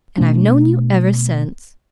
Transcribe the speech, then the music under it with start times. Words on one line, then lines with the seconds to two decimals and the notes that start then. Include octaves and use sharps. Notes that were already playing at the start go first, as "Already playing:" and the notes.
"And I've known you ever since."
0.18 B2 A3 D4